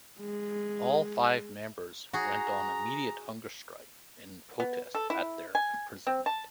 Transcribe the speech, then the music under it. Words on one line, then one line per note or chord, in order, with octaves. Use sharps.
All five members went on immediate hunger strike in protest at their imprisonment.
G#3
F#4 G#4 A#5
B3
A4
E4
G#5
C4
A5